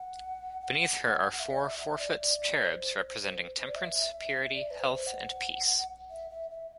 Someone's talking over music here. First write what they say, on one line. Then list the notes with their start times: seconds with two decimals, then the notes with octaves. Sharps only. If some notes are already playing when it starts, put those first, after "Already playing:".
Beneath her are four four-foot cherubs representing Temperance, Purity, Health, and Peace.
Already playing: F#5
0.61 F#5
1.33 F#5
1.40 E5
1.51 D5
1.59 E5
1.79 E5
1.99 D5
2.19 D5
2.57 C5
3.68 D5
3.75 E5
4.54 D5
4.71 B4
4.80 C5
5.07 F#5
6.10 E5
6.30 E5
6.51 E5